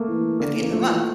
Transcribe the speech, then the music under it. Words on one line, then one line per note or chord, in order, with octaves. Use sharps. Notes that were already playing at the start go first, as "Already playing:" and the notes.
at the end of the month,
Already playing: A3 A#3
E3
D3 A#3
A3
E3
A#3
F3 A3
E3 F4